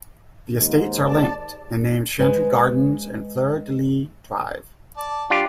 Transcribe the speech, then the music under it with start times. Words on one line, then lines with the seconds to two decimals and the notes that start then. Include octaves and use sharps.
The estates are linked, and named Chantry Gardens and Fleur De Lys Drive.
0.53 D#2 G#2
1.04 D5 A5
2.19 G#3 B4 C5 G5 G#5
4.97 D5 A5
5.30 G3 D4 F4 G4 D6